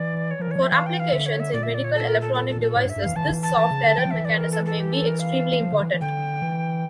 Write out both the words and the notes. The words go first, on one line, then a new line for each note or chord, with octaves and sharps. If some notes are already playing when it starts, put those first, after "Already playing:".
For applications in medical electronic devices this soft error mechanism may be extremely important.
Already playing: E3 D5
C#5
F3 A#4
E3
F3 C#5
E5
E3 F5
G5
F5
D3 E5
C#5
E5
A#2 D5
E5
D5
C#5
A4
A#4
A4
A4
A4
A4
A2 C#5
G2
E5
G2
E3 F5
E3 A5
D3
E3
A5
E3
C#3
D3
E3 G5
F3
E3 E5
D5
A#4
A4
A4
G4
A4
A#4
F5
F3
D3
E3
E3
D3 G5
E3